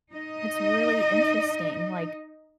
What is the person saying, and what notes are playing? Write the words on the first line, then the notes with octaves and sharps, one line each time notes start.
It's really interesting, like,
D#4 D#5